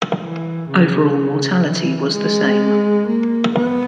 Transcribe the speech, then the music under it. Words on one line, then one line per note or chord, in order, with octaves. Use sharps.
Overall mortality was the same.
E3
C#3
E3
G#3
A#3
B3